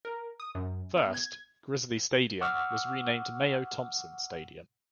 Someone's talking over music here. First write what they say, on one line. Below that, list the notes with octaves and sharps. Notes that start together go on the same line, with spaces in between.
First, Grizzly Stadium was renamed Mayo-Thompson Stadium.
A#4
D#6
F#2
B3
G#6
F#5 C#6 D6 E6 F6